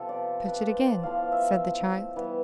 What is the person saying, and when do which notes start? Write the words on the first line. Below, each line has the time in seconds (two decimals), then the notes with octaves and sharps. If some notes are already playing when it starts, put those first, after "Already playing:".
"Touch it again," said the child.
Already playing: C3 F3 B3 G4 A4
0.09 D5
0.48 B4
0.66 C5
0.85 D5
1.03 A2 F3 B3 F5
1.32 E5
2.16 E3 G3 B3